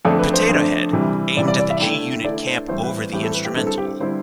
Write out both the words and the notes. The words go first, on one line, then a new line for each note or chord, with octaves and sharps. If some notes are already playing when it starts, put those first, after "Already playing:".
Potato Head, aimed at the G-Unit camp over the instrumental.
F2 D3 A3 D4 A4
B4
C5
F2 D3 A3 D4
C3 E3 G3
C3 E3 G3 D5
D5
D5
E5
D3 A3 E4 G5
D3 A3 E4 D5
C5
A2 E3 G3 C4 C5
B4
A2 E3 G3 C4 G4
A4
B4
G4
D3 G3 C4 E4 A4
A4
G4
D3 G3 C4 E4 C5